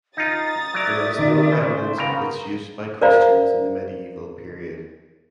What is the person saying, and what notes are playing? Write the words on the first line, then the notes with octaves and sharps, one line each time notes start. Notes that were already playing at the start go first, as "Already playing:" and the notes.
There is no evidence of its use by Christians in the medieval period.
D#4 F4 A#5 D#6 A6
F#3 A#4 D5 E5
D#3
C#3 C5
C#3 A#3 B3 G5 A#5
A#4 C5 D5 F5 A#5